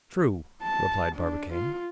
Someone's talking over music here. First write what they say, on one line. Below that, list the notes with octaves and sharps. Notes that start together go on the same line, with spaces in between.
"True," replied Barbicane.
A5
D4
F4